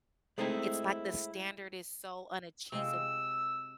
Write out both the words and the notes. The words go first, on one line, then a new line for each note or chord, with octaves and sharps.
it's, like, the standard is so unachees
G#3 A3 C4 D#4 E4
C3 G#3 F4 E6